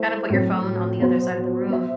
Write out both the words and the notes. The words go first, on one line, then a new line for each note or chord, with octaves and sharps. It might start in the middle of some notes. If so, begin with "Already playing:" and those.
kinda put your phone on the other side of the room.
Already playing: A3 E4 C5
A2 F#3 C4
B2 F#3 B3 F#4 C5
B3 F#4 C5 E5